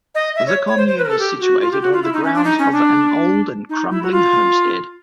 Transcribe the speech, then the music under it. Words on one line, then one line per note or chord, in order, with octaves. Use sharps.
The commune is situated on the grounds of an old and crumbling homestead.
D#5
E5
C#5
C#5
C5
C5
B4
A#4
A4
G4
F#4
F4
G4
F#4
F4
E4
D#4
C#4
D4
D#4
C#4
D4
D#4
E4
F#4
F4